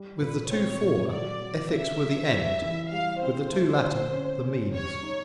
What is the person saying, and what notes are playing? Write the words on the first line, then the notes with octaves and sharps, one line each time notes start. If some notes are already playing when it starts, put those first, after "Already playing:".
With the two former ethics were the end-with the two latter the means.
Already playing: G3
A#2 B4
C4 C#5
A#2
F#3 D5
F#3
C#3 E5
F#3
G3
E3
G3 F5
C4 C5
A3
D3
C#4
C#4
G3 C#5
D#4